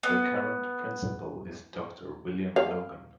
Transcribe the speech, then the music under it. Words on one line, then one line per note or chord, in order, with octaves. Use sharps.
The current Principal is Doctor William Logan.
B3
F5